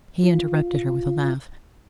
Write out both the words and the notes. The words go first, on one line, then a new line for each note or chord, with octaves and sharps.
He interrupted her with a laugh.
F4